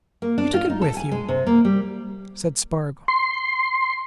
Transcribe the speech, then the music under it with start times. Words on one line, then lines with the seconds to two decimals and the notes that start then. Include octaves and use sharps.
"You took it with you?" said Spargo.
0.22 A#3
0.38 D4
0.54 F4
0.70 D#4
0.82 A4
0.97 G#5
1.12 G#3
1.28 C3
1.47 A#3
1.65 G3
3.08 C6